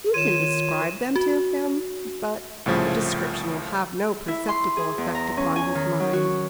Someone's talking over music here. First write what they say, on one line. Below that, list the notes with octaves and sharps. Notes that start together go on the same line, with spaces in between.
You can describe them to him, but the description will have no perceptible effect upon his mind.
D#3 F4 C#5 D#7 E7
F#4
C2 A2 C#3 F3 A3
E4
C6
G#4
E2
A#5
C#4
G#5
D#3
F#3
F#4